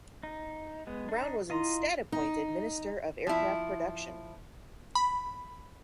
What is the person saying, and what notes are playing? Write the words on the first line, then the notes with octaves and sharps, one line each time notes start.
Brown was instead appointed Minister of Aircraft Production.
D#4
G#3 B3
D4 D#4
E4 F4 D#5 A#5 C6
D#4
F3 E4
B5